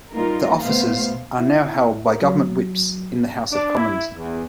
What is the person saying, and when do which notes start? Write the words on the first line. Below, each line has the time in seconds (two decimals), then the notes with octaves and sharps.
The offices are now held by Government whips in the House of Commons.
0.12 G3 A#3 D#4 F4 A#4
0.61 B2 A3 B3 C5 F5
1.40 E4
2.06 A#4
2.22 F#3
3.52 D4
3.77 E4
4.15 E2